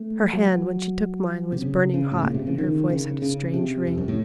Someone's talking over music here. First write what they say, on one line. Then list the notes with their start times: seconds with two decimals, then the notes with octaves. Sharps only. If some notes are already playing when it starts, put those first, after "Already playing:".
Her hand, when she took mine, was burning hot, and her voice had a strange ring.
Already playing: A3
0.33 F#3
1.52 C3
1.62 C#3
1.94 C#3
2.12 A2
2.23 A#2
2.34 C3
2.47 C#3
2.58 D#3
2.90 C#3
3.22 C#3
3.54 C3
3.87 F2
3.98 F#2
4.08 A2